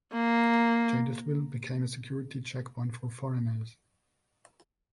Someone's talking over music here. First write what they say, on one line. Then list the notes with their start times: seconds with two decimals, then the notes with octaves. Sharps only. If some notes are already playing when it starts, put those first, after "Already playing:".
Jadotville became a security checkpoint for foreigners.
0.13 A#3